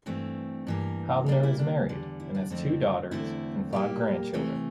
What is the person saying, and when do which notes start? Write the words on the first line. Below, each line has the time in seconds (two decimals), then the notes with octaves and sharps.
Haubner is married and has two daughters and five grandchildren.
0.06 G2 E3 A3 C4
0.67 G2 E3 A#3
1.28 A#2 G3 A#3 D4
1.43 E4
1.59 D4
1.89 E2 D3 G3
2.20 E4
2.35 D4
2.50 F2 D3 A3 C4
3.11 E2 D3 A3 C4 E4
3.72 A#2 G3 A#3 G4
4.34 C3 E3 A3